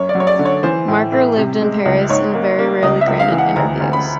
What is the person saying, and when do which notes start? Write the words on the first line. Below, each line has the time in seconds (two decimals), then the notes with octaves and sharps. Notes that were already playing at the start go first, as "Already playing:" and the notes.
Marker lived in Paris, and very rarely granted interviews.
Already playing: F#2 C#5
0.09 D5
0.15 F#3
0.20 C#5
0.27 D5
0.39 D3
0.45 C#5
0.63 E3 C5
0.88 A2
1.12 A2
1.37 C3
1.62 G#3
1.85 C#2
2.09 G#2 C#5
2.34 A#3
2.59 A#3
2.83 C#2 D#5
3.01 E5
3.07 C#2
3.19 F5
3.32 E3
3.38 F#5
3.56 D2 A#5
3.80 D2
3.93 B5